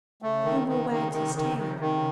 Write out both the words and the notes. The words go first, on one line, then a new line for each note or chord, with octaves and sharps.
Homo wagged his tail.
C#3 A3
D#3
C3 D#3
D#3
C3 D#3
D#3
D#3
D#3